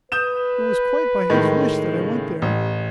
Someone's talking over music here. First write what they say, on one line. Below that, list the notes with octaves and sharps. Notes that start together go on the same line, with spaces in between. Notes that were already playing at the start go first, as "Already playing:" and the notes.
It was quite by his wish that I went there.
B4 D#6 G6 E7
A2 D#3 G#3
C#3
A1 G4